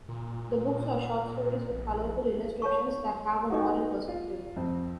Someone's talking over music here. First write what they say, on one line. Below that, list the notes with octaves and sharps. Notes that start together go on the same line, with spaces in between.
The books are short stories with colorful illustrations that have a moral perspective.
A#2
A#1
C#5 A5 C#6
B3 D#4 F#4 G4 A4 D#5
F4
F2 C4